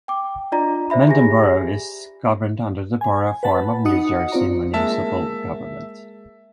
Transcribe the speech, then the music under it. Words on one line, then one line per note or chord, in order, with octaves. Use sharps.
Mendham Borough is governed under the Borough form of New Jersey municipal government.
G5 D6
D4 F4 D5 D#5 A#5
C5 D5 E5 B5
G4 G#4 G#5 A#6
G#5
B4 F#5 A5 B5
D#4 F#4 D#5 F#5 D#6 C#7
C4 F4 D5 A#5
G#3 A#3 E5 A5